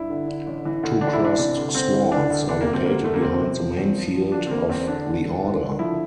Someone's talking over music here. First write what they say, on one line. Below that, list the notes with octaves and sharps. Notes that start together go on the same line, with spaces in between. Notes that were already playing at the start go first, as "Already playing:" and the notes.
Two crossed swords are located behind the main field of the order.
Already playing: G2 E4
D3
D3
A1
E3
D2
E3 D4
E4
E3 D4
C3
D2
D2 C4
E3
D2 D4
D2
C3 D4
A#3
D2
C4
D2 A#3
D2 A3
A#3
C3 C4
C3
F3
E2
F3
F3
D3 D4
C4
E2 A#3
E2 C4
D3 D4
E2
D3
D3
D3
F3 E4